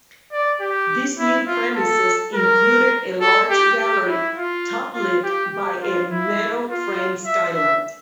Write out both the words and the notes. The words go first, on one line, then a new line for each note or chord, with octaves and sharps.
These new premises included a large gallery top-lit by a metal framed skylight.
D5
G4
E4
F4
A4
A#4
A4
G4
G4
E4
F4
F4
G4
G4
F4
E4
F4
E5
E5